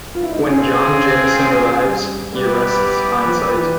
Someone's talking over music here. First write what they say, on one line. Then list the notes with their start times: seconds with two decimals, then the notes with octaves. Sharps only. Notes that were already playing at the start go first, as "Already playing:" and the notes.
When John Jameson arrives, he arrests Hindsight.
0.15 F4
0.23 E4
0.32 D#4
0.39 D4
0.47 C4 C#4 F4 G#4
0.93 C#4
1.40 C#4
1.86 G3
2.32 G3 B3 E4 G4 B4 D5
2.79 G3
3.25 F3
3.57 E3